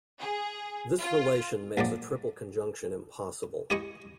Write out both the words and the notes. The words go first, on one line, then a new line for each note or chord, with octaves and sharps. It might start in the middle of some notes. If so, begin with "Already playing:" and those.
This relation makes a triple conjunction impossible.
G#4
F4
A#1 F3 F#3 D5
E4 G4 D#5 G#5 C#6